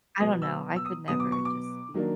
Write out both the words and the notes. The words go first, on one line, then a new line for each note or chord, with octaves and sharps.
I don't know. I could never just be
B2 F#3 B3 D#6
E6
E6
D#6
B2 F#3 B3 D#6
D6
C#6
D6
D#3 F#3 A#3 D4